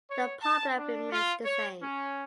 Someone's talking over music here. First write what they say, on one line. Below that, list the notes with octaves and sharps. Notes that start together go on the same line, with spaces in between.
The problem remains the same.
C#5
A5
D4
F4
C#5
C#4